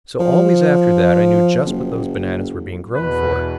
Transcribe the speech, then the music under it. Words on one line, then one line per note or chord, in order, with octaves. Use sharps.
So always after that I knew just what those bananas were being grown for.
F3
F#1
E2 B2 B4